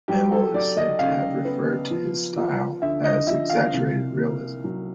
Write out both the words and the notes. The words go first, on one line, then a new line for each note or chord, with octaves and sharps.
Emil is said to have referred to his style as "exaggerated realism".
F#3 G4
A4
F#3 D5
D#5
C#3 F5
B3
F3
F3
D3 E5
D#5
F3 E5
F5
C2
A#3
F#3